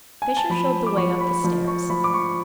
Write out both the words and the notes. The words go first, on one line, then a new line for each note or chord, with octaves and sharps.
Fisher showed the way up the stairs.
G#5
A5
F3 B5
D6
F3 C#6
B5
F3
C#6
F3 B5
D6
C#6